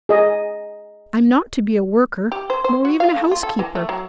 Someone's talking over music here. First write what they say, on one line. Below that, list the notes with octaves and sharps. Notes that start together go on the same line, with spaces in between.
I'm not to be a worker, nor even a housekeeper.
G#4 D#5
G4
C5
C5
F#4
F5
A3
F4
A4
E3
A3
F#3